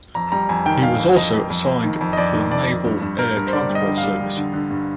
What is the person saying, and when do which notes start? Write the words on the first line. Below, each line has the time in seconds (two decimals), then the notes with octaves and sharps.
He was also assigned to the Naval Air Transport Service.
0.15 F2 A#5
0.32 G3 A#5
0.49 F2 G#5
0.66 D#3 G5
0.83 F2 F5
1.00 F2
1.16 F2 D#5
1.33 F2
1.50 F2
1.67 F2
1.84 D#3
2.01 F2
2.13 D#5
2.17 F2 D5
2.34 D#3
2.51 F2 D5
2.68 F2
2.85 G2
3.02 G2
3.19 G2 A#4
3.36 G2
3.47 C5
3.53 D3 D5
3.70 G3
3.75 D#5
3.86 D3
3.98 F5
4.03 G3
4.20 G3
4.37 D3
4.53 D3
4.71 G2